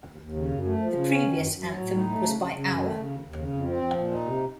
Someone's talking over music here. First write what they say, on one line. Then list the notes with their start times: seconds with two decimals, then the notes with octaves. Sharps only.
The previous anthem was by Aur.
0.08 D#2
0.21 D#2
0.36 C#3
0.50 F#2
0.65 A3
0.79 F3
0.94 C#3
1.09 C#4
1.23 D#3
1.36 F#2
1.51 F#2
1.66 F#3
1.80 A2
1.94 D#4
2.09 A3
2.24 C#3
2.38 C#3
2.53 C#3
2.67 F#2
2.82 A3
2.96 C#3
3.10 D#2
3.24 D#2
3.39 C#3
3.53 F2
3.68 C4
3.82 F3
3.96 A#2
4.11 D#4
4.25 C3